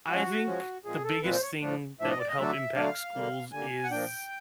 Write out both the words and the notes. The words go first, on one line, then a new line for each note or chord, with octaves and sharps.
I think the biggest thing that would help impact schools is
F3 G#3 C#4 F#4
F3 G#3 C#4
A#2 F3 G#3 C4 G#4
A4
A#2 F3 G#3 C4 B4
C5
C#5
A2 F3 A3 D4
A2 F3 A3 D4 E5
D#5
D5
D#5
D3 F#3 A3 D4 E5
D3 F#3 A3 D4 F5
D3 G3 A#3
D3 G3 A#3 G#5
F#5
F3 A#3 D4 G5